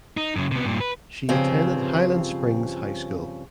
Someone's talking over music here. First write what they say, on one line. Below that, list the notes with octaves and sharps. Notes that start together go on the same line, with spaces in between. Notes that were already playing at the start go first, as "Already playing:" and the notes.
She attended Highland Springs High School.
D#4
F#2 C#3
C3 B3
G2 A#2
B4
G2 C#3 F3 C4